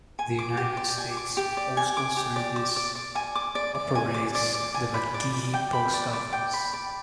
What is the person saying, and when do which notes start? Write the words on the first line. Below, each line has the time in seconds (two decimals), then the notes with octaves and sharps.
The United States Postal Service operates the McGehee Post Office.
0.19 G#5
0.39 D6
0.57 G4
0.77 D5
0.98 G#5
1.17 D6
1.37 G4
1.57 D5
1.77 G#5
1.97 D6
2.17 G4
2.36 D5
2.56 D6
2.76 D5
2.95 D5
3.15 G#5
3.35 D6
3.55 D5
3.75 D5
3.95 G#5
4.14 D6
4.35 D5
4.55 D5
4.74 G#5
4.94 B5
5.14 D5
5.34 D5
5.54 G5
5.73 B5
5.94 D5
6.13 D5
6.33 G5
6.53 B5
6.73 D5